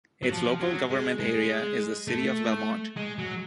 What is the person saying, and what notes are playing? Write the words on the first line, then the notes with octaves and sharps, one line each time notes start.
Its local government area is the City of Belmont.
F#3
F3
F#3
G#3
G#3
A3
G#3
F#3